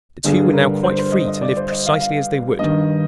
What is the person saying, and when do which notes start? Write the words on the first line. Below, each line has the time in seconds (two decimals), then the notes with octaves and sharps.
The two were now quite free to live precisely as they would.
0.24 G2 D3 G#4
0.54 A#4
0.83 C5
0.98 C5
1.12 D#5
1.28 D#5
1.41 D5
1.57 C5
1.71 D#5
1.86 F5
2.00 F5
2.59 G2 D#3 D#5